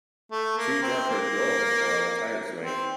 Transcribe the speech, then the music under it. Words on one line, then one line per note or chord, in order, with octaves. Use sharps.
Two darkhaired girls are on a tire swing.
A3
A#3
C4
A#3
C4